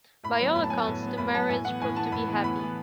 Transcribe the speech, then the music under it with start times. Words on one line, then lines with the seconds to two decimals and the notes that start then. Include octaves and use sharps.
By all accounts, the marriage proved to be happy.
0.24 A2 B5
0.40 F#3 B3
0.55 A2 B5
0.63 A5
0.70 F#3 B3 G#5
0.78 A5
0.87 A2
1.03 F#3 B3
1.18 A2 B5
1.35 F#3 B3 A5
1.49 A2 G#5
1.65 E3 B3 F#5
1.81 A2 G#5
1.96 E3 B3 A5
2.12 A2 B5
2.28 E3 B3
2.44 A2 B5
2.59 E3 B3